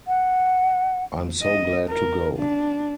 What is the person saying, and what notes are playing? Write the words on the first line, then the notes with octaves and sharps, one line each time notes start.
I'm so glad to go!
F#5
D#5
A#4
D4